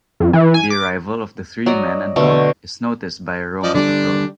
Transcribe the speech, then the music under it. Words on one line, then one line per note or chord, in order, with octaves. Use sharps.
The arrival of the three men and dog is noticed by a Roman patrol.
F2
E3
G#5
D6
F#3 D5 D#5
B2 D3 A3
F3 D5 D#5
D3 G3 D4 D5